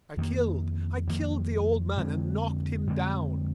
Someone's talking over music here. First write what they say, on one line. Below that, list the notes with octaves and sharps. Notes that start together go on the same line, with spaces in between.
I killed, I killed the old man and knocked him down....
F2 D#3 A#3
F2 D#3 A#3
F2 D3 G#3 C4
F2 D3 G#3 C4